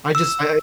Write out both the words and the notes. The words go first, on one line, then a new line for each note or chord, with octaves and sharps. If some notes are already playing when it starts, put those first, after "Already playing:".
I just I I
E6